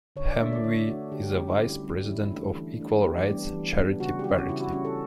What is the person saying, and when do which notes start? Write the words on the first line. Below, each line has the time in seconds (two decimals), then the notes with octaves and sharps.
Hamwee is a vice president of equal rights charity Parity.
0.16 D3 C#5
0.28 D5
0.40 A3 D4 E5
0.53 D5
0.64 D3 C#5
0.88 A3 D4 F#4
1.12 D3 G4
1.24 G4
1.36 G3 C#4 G4
1.48 E4
1.61 D3
1.84 G3 C#4
2.08 E3 E4
2.32 A3 D4
2.56 E3
2.80 A3 D4
3.05 E3 G4
3.28 G3 B3 D4
3.52 E3
3.76 G3 B3 D4
4.00 C#3 F#4
4.19 G4
4.24 G3 C#4 F#4
4.38 F#4
4.49 C#3 E4
4.61 F#4
4.72 G3 C#4 F#4
4.85 A4